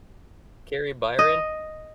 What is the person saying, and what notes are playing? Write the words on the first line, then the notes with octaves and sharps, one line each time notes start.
Carrie Byron,
D#5